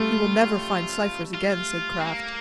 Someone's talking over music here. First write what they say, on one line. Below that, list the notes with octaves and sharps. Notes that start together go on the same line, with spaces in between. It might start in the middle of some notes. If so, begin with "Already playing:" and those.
"He will never find Cypher's again," said Kraft.
Already playing: G3 A3 F4
F4
C4
A#3